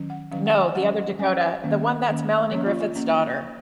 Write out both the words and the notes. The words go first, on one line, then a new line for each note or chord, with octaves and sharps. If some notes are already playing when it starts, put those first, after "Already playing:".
no, the other Dakota. The one that's Melanie Griffith's daughter.
Already playing: D#3 F#3 C#4
F#5
D#3 F#3 C#4 F5
F#5
G#5
F#3 C#4 F#5
F#3 C#4 G#5
G#5
D#3 A#3 C#4
D#3 A#3 C#4
F3 A#3 C#4 C#5
F4
F4
A#3 C#4